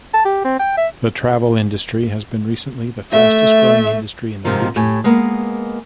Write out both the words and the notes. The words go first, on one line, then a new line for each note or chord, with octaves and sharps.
The travel industry has been recently the fastest growing industry in the region.
A5
G4
C4
G5
E5
A3 E5
G#2 C3 D#3 F3 D#4
A2 G4 G#5
G#3 A#3 B3